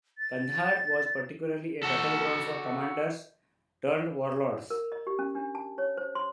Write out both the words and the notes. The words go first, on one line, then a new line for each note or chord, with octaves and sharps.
Kandahar was particularly a battleground for commanders turned warlords.
A6
F#4 A4
A#4
D#5
G4
C#4
D4
A5
C#5
C5
C6